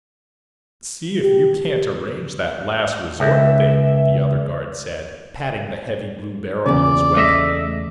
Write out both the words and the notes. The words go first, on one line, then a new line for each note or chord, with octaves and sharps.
"See if you can't arrange that last resort thing," the other guard said, patting the heavy blue barrel of his weapon.
G4
C#2 E5
E2 A#2 C#3 D5
A3 D#5 E5